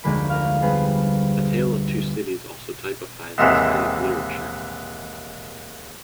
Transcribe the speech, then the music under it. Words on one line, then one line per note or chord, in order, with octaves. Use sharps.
"A Tale of Two Cities" also typifies this kind of literature.
F1 D2 D3 G#3 A#3 B5
A#4 F5
G3 B3 G#4 B4 C5
D#2 G#2 C3 D#3 E3